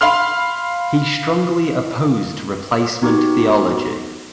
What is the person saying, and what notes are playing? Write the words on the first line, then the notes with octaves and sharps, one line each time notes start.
He strongly opposed replacement theology.
F5 B5 C6 F6
B3 D#4 F#4 G4